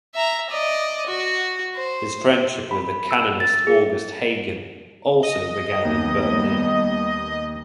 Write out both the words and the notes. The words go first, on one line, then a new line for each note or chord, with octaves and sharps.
His friendship with the canonist August Hagen also began in Berlin.
E5 A#5
D5 D#5
F#4
C5
B5
E6
A6
G#4
D#5
D#2 G3 A3 B3